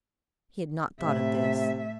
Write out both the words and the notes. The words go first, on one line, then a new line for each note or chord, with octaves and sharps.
He had not thought of this.
A2 C3 E5